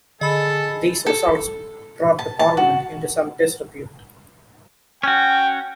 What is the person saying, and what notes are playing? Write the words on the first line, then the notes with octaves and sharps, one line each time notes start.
These results brought the parliament into some disrepute.
D3 G#4 A4 D#5 B5
A4
A5
A5
F#4
C#4 F#4 G5